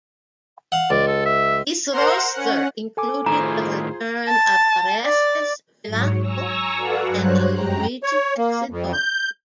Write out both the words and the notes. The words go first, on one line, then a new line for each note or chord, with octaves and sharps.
This roaster included the return of Orestes Vilato and Luigi Texidor.
F5 F#5
C#2 D5
A4
E5
A#4 C5 F#5 A#5 C6
C#4 F#5
A4 G#5 D6
A2 D#3 F4 G#4 C5 A#5
A5
D5
G#2 F#3 C#5
G#5 A#5 C#6 E6 A#6
F#4 A4 B4 D5 F5 F#5
G2 F#3 C5 C#5 F#6
F#2 G#3 G5 A#5
C#5
A#3
F2
G6